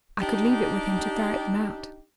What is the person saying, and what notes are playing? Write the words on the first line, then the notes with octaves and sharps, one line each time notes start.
I could leave it with him to ferret them out.
D4 D#4 G4